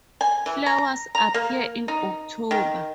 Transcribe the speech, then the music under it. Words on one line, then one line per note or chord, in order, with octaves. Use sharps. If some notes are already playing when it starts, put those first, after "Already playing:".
Flowers appear in October.
G#5
E3
A#5
A#5
A#3
D#4
D#3